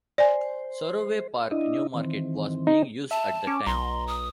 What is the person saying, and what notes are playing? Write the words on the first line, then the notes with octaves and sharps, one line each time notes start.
Saroway Park Newmarket was being used at the time.
C5 D5 G#5
D4 E4 D#5
D#3 E3 C4
D#4
E5 A5
C#4 D6
B1 A#5 C6
D#6